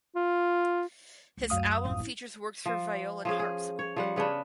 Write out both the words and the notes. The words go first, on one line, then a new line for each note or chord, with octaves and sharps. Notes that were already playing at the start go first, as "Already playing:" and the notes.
His album features works for viola and harpsichord.
F4
C#2 A3
F#2 F5 D#6
D#1 A1
E4
F3
F3 C#4 G#4
G#4
C#5
F3 G3 F#5
C#3 B3 C#4 D4